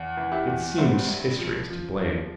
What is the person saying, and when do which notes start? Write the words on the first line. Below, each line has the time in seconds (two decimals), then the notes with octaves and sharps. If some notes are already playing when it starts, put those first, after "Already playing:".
It seems history is to blame.
Already playing: E2
0.17 E3
0.32 E4 G4
0.47 E2
0.78 G2 C5 E5
1.09 G2
1.39 F3
1.70 F3
2.00 F3